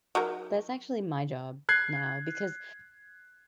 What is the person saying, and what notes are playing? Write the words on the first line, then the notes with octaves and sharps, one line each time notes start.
that's actually my job now because
F#3 D#4 A#4
F#6 G#6 C7